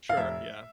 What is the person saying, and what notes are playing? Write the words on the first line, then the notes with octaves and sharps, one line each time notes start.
Sure, yeah.
F5
F1 E5